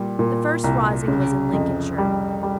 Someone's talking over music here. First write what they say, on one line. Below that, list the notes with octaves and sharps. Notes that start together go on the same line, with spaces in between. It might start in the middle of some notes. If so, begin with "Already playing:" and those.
The first rising was in Lincolnshire.
Already playing: A#2 G3
A#2
C2
C#3
F2
G3
G3